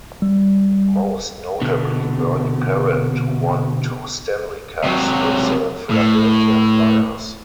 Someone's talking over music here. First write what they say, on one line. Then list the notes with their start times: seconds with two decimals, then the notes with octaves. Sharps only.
Most notably Bernie Parent, who won two Stanley Cups with the Philadelphia flyers.
0.22 G3
1.62 B2 D3
4.84 C3 F#3
5.90 A2